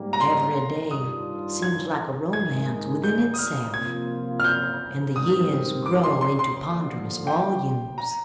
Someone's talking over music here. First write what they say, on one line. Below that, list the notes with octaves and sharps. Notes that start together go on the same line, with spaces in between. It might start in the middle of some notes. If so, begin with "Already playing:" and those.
Every day seems like a romance within itself, and the years grow into ponderous volumes.
Already playing: G#2 G3 A#3
A#5
C6
G2 D#3 G3 D4 F4 D#6
G#6
G#2 D#3 G#3 D#4 G#6
G6
D#6
F6
C3 F3 A#3 F4 G#6
F6
G6
G#2 D#3 G3 C4 D#6
D6
C6
C6
C6
D#2 D3 F3
G5
A#5